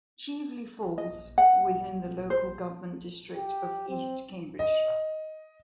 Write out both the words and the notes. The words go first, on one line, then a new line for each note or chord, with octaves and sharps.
Cheveley falls within the local government district of East Cambridgeshire.
D#5
F#5
C5
G4
C4
D#5